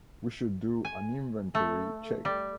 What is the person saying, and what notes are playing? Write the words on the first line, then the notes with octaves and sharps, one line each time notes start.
We should do an inventory check.
G#5
A3
G3